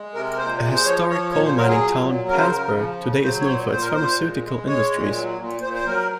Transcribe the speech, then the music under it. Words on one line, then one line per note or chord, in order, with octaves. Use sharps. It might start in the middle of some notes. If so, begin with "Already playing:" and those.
A historic coal mining town, Penzberg today is known for its pharmaceutical industries.
Already playing: G#3
C3 A#4
A#4
A#2 C5
G#3
C5
F3 C#5
F3 C#5
A#2 C#5
C5
F#3 A#4
G#4
A#2
F#3
C#3 A#4
C5
C#3 A#4
F3
C#3
F#3 C5
C#5
A#2 C5
A#2 C5
A#4
A#2 C5
G#3
G#3
G#3 C#5
A#2
F#3
A#2
A#2 C5
C5
F#3 A#4